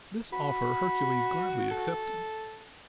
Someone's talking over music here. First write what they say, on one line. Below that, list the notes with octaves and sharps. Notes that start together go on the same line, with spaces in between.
This offer Hercules gladly accepted.
F#4 B5
A4